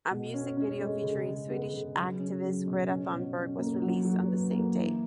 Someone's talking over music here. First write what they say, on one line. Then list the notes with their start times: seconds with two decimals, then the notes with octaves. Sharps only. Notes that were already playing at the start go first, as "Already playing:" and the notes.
A music video featuring Swedish activist Greta Thunberg was released on the same day.
0.11 B2
0.34 C#4
0.57 C#4
0.80 G#3
1.03 C#3
1.27 C#3
1.50 B3
1.73 C#3
1.96 F#3
2.19 C#4
2.42 F#3
2.66 B2
2.89 C#4
3.12 B2
3.36 C#4
3.59 A#3
3.82 F#3
4.05 F#3
4.28 B4
4.51 A#3
4.74 E3